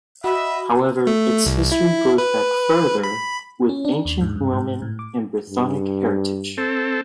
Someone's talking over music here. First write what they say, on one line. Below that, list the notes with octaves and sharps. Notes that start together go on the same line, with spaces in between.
However its history goes back further, with ancient Roman and Brythonic heritage.
F#4 D#5 E5 B5
A3
C2
E4
B4
B5
C#4
D4
D#2
G#2
G2
G#2
A2
D6
G2
C4 A4